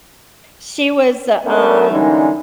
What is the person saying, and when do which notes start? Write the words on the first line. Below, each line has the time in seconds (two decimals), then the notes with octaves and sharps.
she was, uh, um
1.46 A3 B3 C#4 D4 A#4
1.91 D3 E3 G3 G#3 C#4 D#4